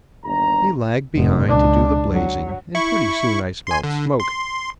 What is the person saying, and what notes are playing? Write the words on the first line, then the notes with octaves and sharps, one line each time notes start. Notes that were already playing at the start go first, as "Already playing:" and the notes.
He lagged behind to do the blazing; and pretty soon I smelt smoke.
G1 D#2 A#5
F1
C#2 D4
F#3
E4 C#6
G#5 C6
D3
C6